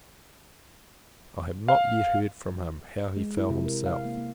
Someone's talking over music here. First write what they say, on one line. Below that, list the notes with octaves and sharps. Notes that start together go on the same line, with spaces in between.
I have not yet heard from him, how he felt himself.
F5
G#3
E4
C3
A#4
F5
A#3
A#3